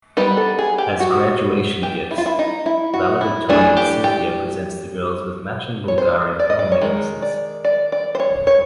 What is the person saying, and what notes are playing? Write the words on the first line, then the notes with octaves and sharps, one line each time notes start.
As graduation gifts, valedictorian Cynthia presents the girls with matching Bulgari pearl necklaces.
G3 B3 D#4 B4
A4
G#4
G4
F#4
G4
E4
F4
E4
D#4
E4
F#4
E4
E3 A3 D4 G#4
G4
G4
C#5
C5
D5
D#5
D5
C#5
D#3 G#3
D5
D5
D5
C5
C#5
C#5